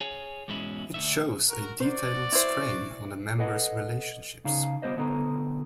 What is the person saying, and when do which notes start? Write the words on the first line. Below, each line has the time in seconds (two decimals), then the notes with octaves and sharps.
It shows a detailed strain on the members relationships.
0.01 G#4 C#5 G#5
0.48 E2 G#2 B2 G#3 C#4 E4
0.94 D2 D3 E5
1.48 F#4 A#4
1.80 F#4 C5 D5
2.32 E4 C5
3.38 A4 B4 D#5 F#5
4.45 C#3 D#4 F5
4.82 G3 B3 B4 C5 D#5
4.96 B1 D3 B3 A4 A#5